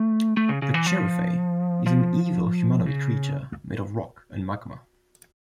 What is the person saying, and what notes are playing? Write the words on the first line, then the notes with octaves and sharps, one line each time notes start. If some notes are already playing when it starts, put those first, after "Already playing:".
The Cherufe is an evil humanoid creature made of rock and magma.
Already playing: A3
A3
C#3
C#3
E3
F3
F3
C#3